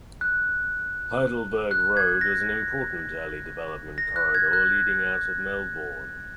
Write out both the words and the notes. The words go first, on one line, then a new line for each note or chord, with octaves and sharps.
Heidelberg Road was an important early development corridor leading out of Melbourne.
F#6
F#6
G#6
A#6
A#6
F#6
G#6
F#6